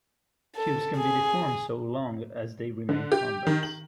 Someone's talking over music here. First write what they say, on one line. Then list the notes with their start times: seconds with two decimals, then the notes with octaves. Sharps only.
Cubes can be deformed so long as they remain convex.
0.56 A4
0.97 G#4
2.89 D3
3.12 G4
3.47 D#3
3.63 F#7